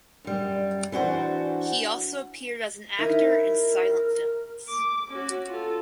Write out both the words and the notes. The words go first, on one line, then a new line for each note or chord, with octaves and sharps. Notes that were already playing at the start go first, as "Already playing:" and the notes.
He also appeared as an actor in silent films.
F#2 G3
E3 D4 F#4 C5
D#4 E4 A#4
D6
C#4 F#4
F4 A4